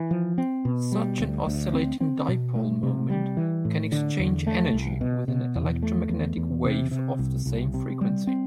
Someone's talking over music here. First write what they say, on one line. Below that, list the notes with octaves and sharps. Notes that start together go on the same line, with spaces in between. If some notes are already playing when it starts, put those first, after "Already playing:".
Such an oscillating dipole moment can exchange energy with an electromagnetic wave of same frequency.
Already playing: E3
F3
C4
B2
G3
D2
D2
C4
C4
B2
A3
C3
G3
E3
A2
D3
E2
A3
C2
B2
B2
E2
A3
E2
E2
C3
C3
C2
C2
C3
G3
C4